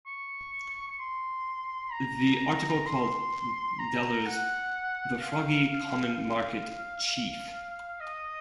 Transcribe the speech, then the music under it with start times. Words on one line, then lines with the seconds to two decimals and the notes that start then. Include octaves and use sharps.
The article called Delors "the Froggie Common Market chief".
0.06 C#6
0.88 C#6
0.99 C6
1.92 A#5
2.86 C6
3.79 A#5
4.26 F#5
5.20 F5
6.14 F5
7.06 F5
8.00 D#5